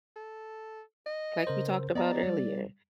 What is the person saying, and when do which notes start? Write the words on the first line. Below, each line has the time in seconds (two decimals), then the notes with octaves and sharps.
like we talked about earlier,
0.16 A4
1.06 D#5
1.47 C#3 A#4 C5
1.95 B3 D5 D#5 A#5
2.26 G3